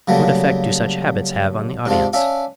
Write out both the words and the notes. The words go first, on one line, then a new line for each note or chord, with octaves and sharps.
What effect do such habits have on the audience?
C#3 F#3 G3 A3 A#3
G#2 C3 D4 F4
C#4 D4 E5 F5